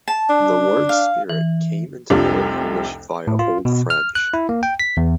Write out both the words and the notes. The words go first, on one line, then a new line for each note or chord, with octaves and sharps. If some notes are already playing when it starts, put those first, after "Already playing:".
The word "spirit" came into Middle English via Old French.
A5
D4
F5
E3
F1 C2 C3 D4 F4 G4
A2
F4
B2
F6
F#6
E4
A#3
G5
B6
E2